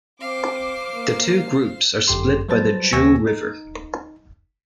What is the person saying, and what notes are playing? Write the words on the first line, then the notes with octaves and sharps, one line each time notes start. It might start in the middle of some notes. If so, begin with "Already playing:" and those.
The two groups are split by the Jiu River.
C4 C5 F5 D6
A#3
G1 F#2 G4 A4 C6
F#3 G3 B4 C5 A5 A6
D#2 C4 G#5 C#6 E6 A#6
D#4